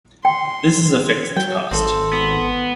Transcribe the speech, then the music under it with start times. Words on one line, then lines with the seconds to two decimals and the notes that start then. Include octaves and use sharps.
This is a fixed cost.
0.25 G5 C6
1.36 F#3 G5
1.71 G#1 C4 A4
2.13 B3